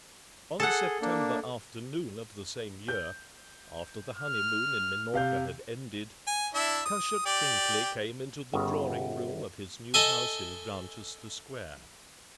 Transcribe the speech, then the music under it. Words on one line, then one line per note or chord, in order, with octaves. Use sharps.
On a September afternoon of the same year, after the honeymoon in Minorca had ended, Cushat-Prinkly came into the drawing-room of his new house in Granchester Square.
G#4 A4 F#5
A#3 D4
G6
F6
C3 F5 G6
G#5
D4 E4 E5
D#6
G4 D5
G1 C#3
A4 D#5 E5 G#5